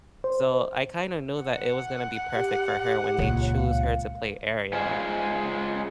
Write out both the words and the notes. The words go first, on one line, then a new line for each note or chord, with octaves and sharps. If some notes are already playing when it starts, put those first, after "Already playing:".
So I kinda knew that it was gonna be perfect for her when they choose her to play Ariel.
C5
F#5
G4
C#2 A#2 C#5
F5
G#3 F4 G#4 C5